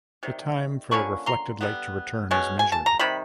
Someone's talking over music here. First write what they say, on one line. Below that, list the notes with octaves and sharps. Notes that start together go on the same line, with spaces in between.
The time for the reflected light to return is measured.
C3 D#3 G3
D3 F3 A#3 C#4 B5 C#6
A#5 C6
D3 G3 B3
B2 G#3 C#4
G#5
A5
A#5
C3 D#3 G3 B5